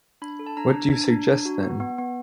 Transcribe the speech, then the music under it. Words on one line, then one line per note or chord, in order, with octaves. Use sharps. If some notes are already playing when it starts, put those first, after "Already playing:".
What do you suggest, then?
D4 B5
A4
A5
D4 A#5
D4
D4
D4
D4
F#4
B3
B3
B3